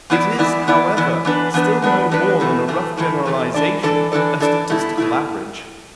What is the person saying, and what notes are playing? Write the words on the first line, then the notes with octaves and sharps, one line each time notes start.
It is, however, still no more than a rough generalization, a statistical average.
E3 B3 E4 D5
E3 B3 E4 D5
E3 B3 E4 D5
E3 B3 E4 D5
E3 B3 D4 B4
E3 B3 D4 B4
E3 B3 D4 B4
E3 B3 D4 B4
A2 E3 A3
A2 E3 A3
A2 E3 A3
A2 E3 A3
E3 D4 A4 D5
E3 D4 A4 D5
E3 D4 A4 D5
E3 D4 A4 D5
B2 A3 E4
B2 A3 E4